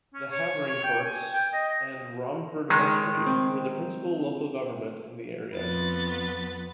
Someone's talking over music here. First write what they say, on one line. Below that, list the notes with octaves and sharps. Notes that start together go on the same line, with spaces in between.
The Havering courts and Romford vestry were the principal local government in the area.
C#4
C#5
C#5
G5
G#5
G5
D#5
C#2 D#3 G#3
C4
F2 B3 A6